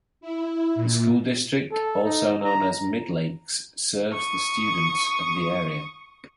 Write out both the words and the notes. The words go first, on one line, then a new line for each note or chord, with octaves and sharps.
The school district, also known as Midlakes, serves the students of the area.
E4
A#2
A4
D#4
A#5
C#6 D#6